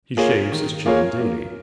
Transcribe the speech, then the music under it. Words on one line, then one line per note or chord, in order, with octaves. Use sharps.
He shaves his chin daily.
A#3 F4 G#4 C#5
D#3
A#3 F4 G#4 C#5
A#3